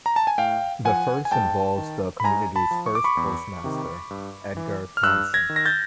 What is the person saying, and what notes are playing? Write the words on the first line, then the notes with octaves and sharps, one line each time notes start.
The first involves the community's first postmaster, Edgar Thomson.
A#5
A5
G#5
A2 F5 G5
F3 F#5 G#5
G#5
G#2 G5 A5
D#3
B5
G#2 G#5 A#5
A5 B5
F3
C#6
D6
B5 C#6
E2
C3 D#3
G2
E3
F6
G2 E6 F#6
G#6 A#6
D#3
A#6
G6 A6